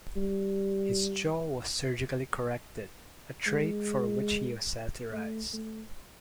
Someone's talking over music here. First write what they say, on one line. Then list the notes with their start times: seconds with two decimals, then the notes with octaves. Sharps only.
His jaw was surgically corrected, a trait for which he was satirized.
0.16 G3
3.47 G#3
5.12 A3
5.53 A3